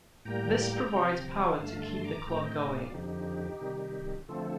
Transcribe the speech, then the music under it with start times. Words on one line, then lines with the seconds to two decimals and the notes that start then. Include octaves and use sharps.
This provides power to keep the clock going.
0.25 A2 G3 A#3 G5 A#5
0.92 C3 F3 C4
1.59 G2 D3 A3 F5 A5
1.82 A5 C6
1.97 C6
2.04 A#5 D6
2.27 A2 A3 C4 G5 A#5
2.44 D#5 G5
2.60 D#5 G5
2.78 D5 F5
2.94 F2 D3 F3 D#4 G4
3.61 C3 D#3 G3
4.29 D3 F3 A3 C4 F4 A4